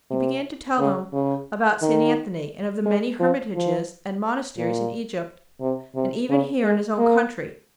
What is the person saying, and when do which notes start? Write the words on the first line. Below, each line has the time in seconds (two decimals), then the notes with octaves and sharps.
He began to tell them about St. Anthony, and of the many hermitages and monasteries in Egypt, and even here in his own country.
0.11 C3
0.79 C#3
1.13 C#3
1.82 D#3
2.86 G#3
3.20 F3
3.55 F3
4.57 A#2
5.61 C3
5.96 C3
6.29 C#3
6.64 G#3
6.98 A#3